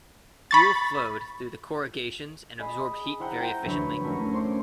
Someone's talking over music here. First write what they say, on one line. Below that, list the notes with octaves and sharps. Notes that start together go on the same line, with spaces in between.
Fuel flowed through the corrugations and absorbed heat very efficiently.
B5 C#6 A6
G#4 D#5 B5
E4 C5 F#5 G5 A#5
G5 A#5
D2 F#3 B4 C#5
F#3 A3 C#4 E4 A#4
C5 C#5 C6 D6